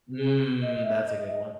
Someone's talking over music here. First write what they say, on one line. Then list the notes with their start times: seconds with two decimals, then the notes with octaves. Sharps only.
Mm. That's a good one.
0.17 G#4
0.62 D#5
0.76 D#5
0.84 E5
1.07 D#5
1.28 E5
1.33 D#5